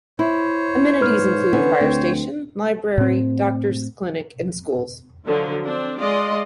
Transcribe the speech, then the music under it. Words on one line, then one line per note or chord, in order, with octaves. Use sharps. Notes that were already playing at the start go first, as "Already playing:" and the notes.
Amenities include a fire station, library, doctor's clinic and schools.
E4 C5 C#5
G#2 B4 F6
D3 E3 B3 C#4
D2 C4
A2 C4
D3 F3 F#3
C4 D4
G#3 F4 D5 D#5 C6